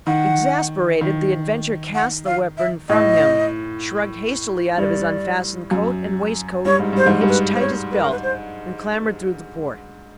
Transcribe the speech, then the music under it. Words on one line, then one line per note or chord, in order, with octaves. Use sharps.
Exasperated, the adventurer cast the weapon from him, shrugged hastily out of his unfastened coat and waistcoat, hitched tight his belt, and clambered through the port.
D#3 F#5
D#3
F#5
F5
E5
A2 D#5
G2 D5
F#2
G2 C#5
G#2
G2 C5
G#2
G2
B4
C5
C#5
B4
A#4
B4
C5